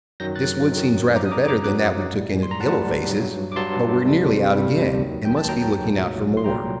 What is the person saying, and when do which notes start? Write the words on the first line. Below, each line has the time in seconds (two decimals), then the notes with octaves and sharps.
This wood seems rather better than that we took in at Yellow-Face's, but we're nearly out again, and must be looking out for more.
0.20 F#2 D#3 F#3 G6 A#6
0.35 F#6 A6
0.68 F#2 D#3 F#3
1.16 F#2 F#3 A#5 D6
1.26 D#6
1.31 A#5 D6
1.48 A#5 D6
1.64 F#2 F#3 D6 F#6
2.12 A2 G3
2.43 C6
2.51 A#5
2.60 A2 G3 F#5 A5
3.08 G2 F#3
3.52 D6
3.56 G2 F#3 A5 C6
4.04 C2 C3 G3
4.52 C2 C3 G3
5.01 D#2 D#3 F#3
5.25 G5
5.37 A5
5.49 D#2 D#3 F#3 G5 A#5
5.97 C2 A#2 F#3
6.37 C6
6.44 C2 A#2 F#3 G5 A#5